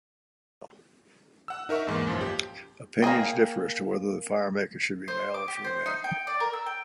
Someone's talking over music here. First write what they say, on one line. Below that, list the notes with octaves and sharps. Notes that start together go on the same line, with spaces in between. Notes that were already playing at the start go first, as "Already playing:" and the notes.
Opinions differ as to whether the fire-makers should be male or female.
F#5 E6
D#4 A#4 E5 C#6
E2 G#2 E3 A#3
B1 F#2 F3
G4
A#3 E4 G#4 G5
C5
D6
G4
C5
D#4
G5
D5
A#4
E6
G5